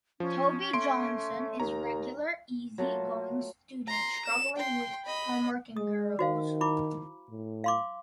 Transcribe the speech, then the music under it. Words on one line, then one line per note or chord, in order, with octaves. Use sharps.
Toby Johnson is regular easy-going student struggling with homework and girls.
F3 C#4
A3 C6 D7
D#2 A#5
F#3 A3 A#3 F4
A#5 C6
E7
G5 C6
D#5 B5
G#3 D#6
D#3 F#4 C5 F5
E4 B5 D6
A2
F5 C6 D6